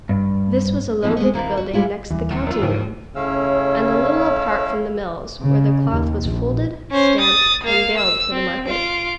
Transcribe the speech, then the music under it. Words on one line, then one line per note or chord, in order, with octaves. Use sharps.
This was a low brick building next the counting-room, and a little apart from the mills, where the cloth was folded, stamped, and baled for the market.
G2
E3 F3 B3 D#4
G#3 B3
D#2 A#3 E4
F#4
G3 G#3 E4 F4
D#2 E3 G3
E2
F#2 F4
D#2 G#2 E3 F3
C#3 A3 C#4 E4 A4 C#5 F5 E6
C#3
D#2
A#1
C#4 C5
D#6 A6
A#3 F5
E6
C4
F4 D7